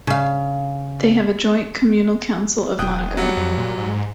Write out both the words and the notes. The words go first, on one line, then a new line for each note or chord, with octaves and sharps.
They have a joint Communal Council of Monaco.
C#3 F5
E1 G5 D#6 F#6
F#3 G3 F#5
F2
A#2
G#2